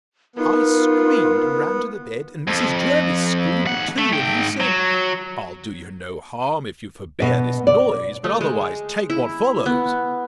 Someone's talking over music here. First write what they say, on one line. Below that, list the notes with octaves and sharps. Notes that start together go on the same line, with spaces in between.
I screamed, and ran to the bed, and Mrs. Jervis screamed too; and he said, I'll do you no harm, if you forbear this noise; but otherwise take what follows.
B3 D#4 F4 A#4
F2
D#2 F#5
A3
G#2 G5
F#3
B2 D#5
D5
A3
G#3
E4
B3